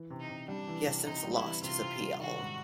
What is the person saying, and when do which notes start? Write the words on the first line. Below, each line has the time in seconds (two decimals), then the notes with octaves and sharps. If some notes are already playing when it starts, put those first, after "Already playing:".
He has since lost his appeal.
Already playing: E3
0.10 C3
0.20 D#4
0.29 C3
0.48 G3 D4
0.67 E3
0.86 C3
1.05 C3 D#4
1.24 G3
1.33 E4
1.43 E3
1.62 C3 F4
1.81 C3
2.00 G3
2.19 D#3 F#4
2.38 G#2